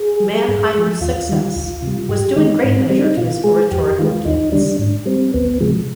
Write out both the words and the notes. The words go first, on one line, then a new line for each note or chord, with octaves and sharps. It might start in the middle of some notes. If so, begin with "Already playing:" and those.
Mannheimer's success was due in great measure to his oratorical gifts.
Already playing: G#4
G3
G2
F3 G#3
D#2 F4
D#3 G3
D2
C3 G3
G2 G4
D#3 G#3 D#4
G#2 C4
C4
G3 C4
D4
D#4
B2 F4
G#3 G#4
F2 G4
D#3 G#3 F4
D#2 D#4
D3 G3 D4
G#2
G3 C4
D2 B3
C3 F3 G#3